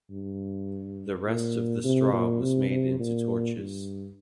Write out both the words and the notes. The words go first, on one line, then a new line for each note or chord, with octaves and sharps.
The rest of the straw was made into torches.
G2
A#2
C3
A#2
C3
C3
A#2
G2